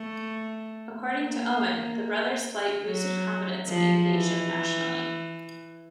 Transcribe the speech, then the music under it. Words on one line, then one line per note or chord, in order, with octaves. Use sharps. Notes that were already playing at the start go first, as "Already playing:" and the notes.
According to Owen, the brothers' flight boosted confidence in aviation nationally.
Already playing: A3
A#3
F#3
F3
E3